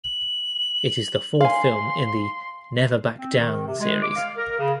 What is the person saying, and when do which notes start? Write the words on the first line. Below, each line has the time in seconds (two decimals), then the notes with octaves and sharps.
It is the fourth film in the "Never Back Down" series.
0.04 F#7
1.41 F5 G#5 C6
3.19 C4
3.38 D#3
3.66 C3
3.81 G#3
4.03 D6
4.17 F5
4.37 A#4
4.59 C#3